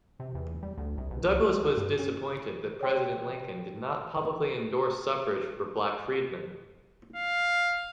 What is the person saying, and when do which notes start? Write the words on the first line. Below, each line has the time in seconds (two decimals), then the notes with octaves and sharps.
Douglass was disappointed that President Lincoln did not publicly endorse suffrage for black freedmen.
0.20 C3
0.35 E2
0.63 G3
0.78 D2
0.98 C2
1.11 B1
1.27 C#2
1.49 G#3
1.64 F#4
1.77 G2
1.99 C#4
2.81 C#5 G5 C6
7.16 F5